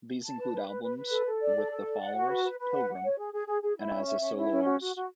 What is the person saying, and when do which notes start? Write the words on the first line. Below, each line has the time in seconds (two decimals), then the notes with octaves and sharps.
These include albums with The Followers, Pilgrim, and as a solo artist.
0.24 A5
0.38 B4
0.53 B4
0.68 B4
0.83 B4
0.97 B4
1.11 A4
1.26 A4
1.41 D5
1.56 A4
1.71 A4
1.85 D5
2.00 F#5
2.15 F#4
2.29 B4
2.45 B4
2.59 B4
2.74 F#5
2.89 F#5
3.04 C#5
3.18 G#4
3.33 G#4
3.47 G#4
3.62 G#4
3.76 E4
3.92 C#4
4.06 E5
4.21 C#4
4.36 E4
4.51 C#4
4.64 F#4
4.80 F#4
4.95 F#4